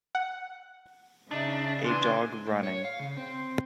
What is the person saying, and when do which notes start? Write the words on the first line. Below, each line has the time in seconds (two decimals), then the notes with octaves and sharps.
A dog running.
0.15 F#5
1.31 C#3 D4 D#4 E5
1.85 A#2 E3 B3 D4 C5 G#5
2.46 A2
2.63 C#5
2.84 F5
2.99 C#3
3.17 C4